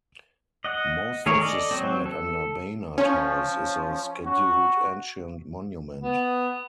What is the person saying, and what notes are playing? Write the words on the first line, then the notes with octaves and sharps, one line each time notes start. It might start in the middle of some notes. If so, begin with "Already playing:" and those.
Most of the site under Baynard House is a Scheduled Ancient Monument.
D#5 F#5
D#3 A3 G#4 A#4 C#5
A4 D5 D#5
F#3 C4
A4
F3 C#4
F#4
B3